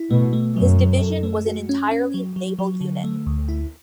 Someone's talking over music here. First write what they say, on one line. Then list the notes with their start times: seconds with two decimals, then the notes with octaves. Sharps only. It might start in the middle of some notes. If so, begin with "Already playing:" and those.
His division was an entirely naval unit.
Already playing: E4
0.11 B2 A3
0.33 A3
0.56 F#2 F#3
0.79 F#3
1.01 A4
1.23 A3
1.46 F#4
1.69 C#4
1.91 C#4
2.14 F#3
2.36 F#3
2.59 F#3
2.81 D3
3.04 A3
3.26 D2
3.49 E4